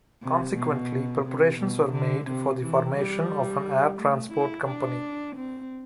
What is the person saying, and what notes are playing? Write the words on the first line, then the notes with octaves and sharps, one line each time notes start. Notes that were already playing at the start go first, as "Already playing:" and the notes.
Consequently, preparations were made for the formation of an air transport company.
C3
B2
C3
B2
D3
C3
E3
G3
A3
E4
D4
C4